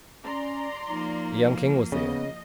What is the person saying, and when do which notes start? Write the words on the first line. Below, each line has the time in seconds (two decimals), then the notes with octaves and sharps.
The Young King was there.
0.24 C#4 D5 A#5 C6
0.88 F3 A#3 D#4
1.92 C#3 B3 D#5